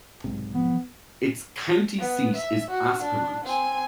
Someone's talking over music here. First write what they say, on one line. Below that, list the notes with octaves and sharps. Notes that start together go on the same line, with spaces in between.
Its county seat is Aspermont.
B1 G#2 C3
F3 B3
B3
E5
F#4
D4
C4 G#5